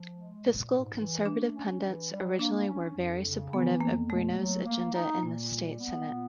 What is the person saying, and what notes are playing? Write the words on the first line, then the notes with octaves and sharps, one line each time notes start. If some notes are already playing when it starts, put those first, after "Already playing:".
Fiscal conservative pundits originally were very supportive of Bruno's agenda in the State Senate.
Already playing: F3
G#3
A#2
G#2
E3
A3 D4
C#4
E3
G3
A#3 D4
C#4
F2
C#3
E3 B3
F2 A#3
B2 A3
F#3
A#3
D#4
A#2 A#3
G3
B3
A#2